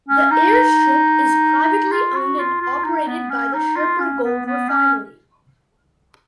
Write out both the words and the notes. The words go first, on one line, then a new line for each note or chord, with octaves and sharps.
The airstrip is privately owned and operated by the Shirpur Gold Refinery.
C#4
D#4
F4
F#4
F4
F4
D#4
B3
C#4
D#4
F4
C#4
B3
B3
C#4